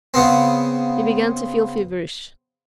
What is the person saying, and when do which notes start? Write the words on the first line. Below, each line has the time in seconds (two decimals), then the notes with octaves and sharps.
He began to feel feverish.
0.14 C#3 B3 C4